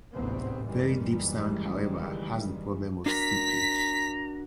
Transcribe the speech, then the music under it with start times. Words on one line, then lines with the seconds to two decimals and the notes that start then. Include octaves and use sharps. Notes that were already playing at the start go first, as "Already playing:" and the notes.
Very deep sand; however, has the problem of seepage.
0.13 A1 D2 G#2 C3 B3 C4
0.67 F#1 D#3 E3 G3 G#3
3.06 D4 F#4 A#4 A#5 B6